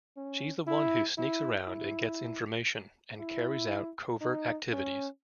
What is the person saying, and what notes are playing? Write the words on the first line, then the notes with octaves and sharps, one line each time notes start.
She's the one who sneaks around and gets information, and carries out covert activities.
C#4
E4
E4
E4
E4
D#4
C#4